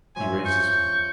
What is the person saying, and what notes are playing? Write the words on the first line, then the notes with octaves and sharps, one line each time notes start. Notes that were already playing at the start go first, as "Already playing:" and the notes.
He raised his finger.
F3 C#4 E5 G#5
C#6 G6